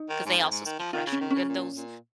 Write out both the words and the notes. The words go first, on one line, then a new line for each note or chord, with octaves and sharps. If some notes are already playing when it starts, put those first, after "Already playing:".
'cause they also speak Russian, and those
Already playing: D#4
D#3
G#2
F2
G#2
D#3
F3
D#3 F4
C#3
C#4
D#3
C#3 C#4
A#2
A#2